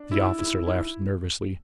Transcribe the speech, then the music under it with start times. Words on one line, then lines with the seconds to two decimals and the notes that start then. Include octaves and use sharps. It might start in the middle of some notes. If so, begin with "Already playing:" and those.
The officer laughed nervously.
Already playing: D4
0.11 E4
0.39 E4
0.66 E4